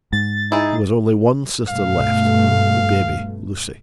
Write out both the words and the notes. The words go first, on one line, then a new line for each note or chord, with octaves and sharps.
There was only one sister left, the baby, Lucy.
G#2 A6
D#4 E4 G#4
G2 B2 A3 F5